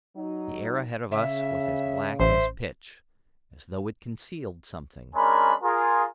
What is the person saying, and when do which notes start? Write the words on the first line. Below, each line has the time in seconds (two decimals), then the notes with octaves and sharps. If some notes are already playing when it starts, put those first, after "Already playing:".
The air ahead of us was as black as pitch, as though it concealed something.
0.16 F#3 D#4
1.12 C#3 E5
2.20 A1 C5 E5
5.15 G#3 C#4 D4 A#4 G#5 B5
5.63 F4 G#4 A#4